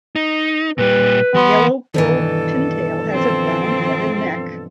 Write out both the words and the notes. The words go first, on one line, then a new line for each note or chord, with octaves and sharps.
The yellow-billed pintail has a brown head and neck.
D#4
A#2 G3 B4
E3 B3 C6
G2 B2 D#3 E3 A4
F3 C4